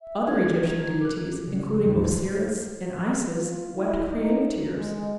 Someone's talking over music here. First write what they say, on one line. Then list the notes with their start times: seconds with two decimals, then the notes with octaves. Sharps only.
Other Egyptian deities, including Osiris and Isis, wept creative tears.
0.02 E5
0.27 F3 G#6
0.57 D#3
0.79 A#4
1.00 D6 F#6
1.47 C#3
1.84 D#2 A2 D#3 G3
3.37 F4
3.77 E4
4.06 D#4
4.76 G#3